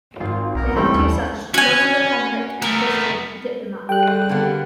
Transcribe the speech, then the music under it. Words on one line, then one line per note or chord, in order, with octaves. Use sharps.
They have two sons, philosopher Henrik and Christian, a diplomat.
G#1 F4
B1 A#4
E3 G3 A3 C#4 E4
D#2
C#4 F#4 G#5
A3 B3 A#4
G3 G#4 A4 G5 F#6
D3 A#3 B3